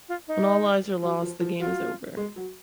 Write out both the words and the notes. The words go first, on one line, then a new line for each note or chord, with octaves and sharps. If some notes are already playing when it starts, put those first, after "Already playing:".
When all lives are lost, the game is over.
F4
D#4
F#3
F3
F3
F#3 F4
G#3
F#3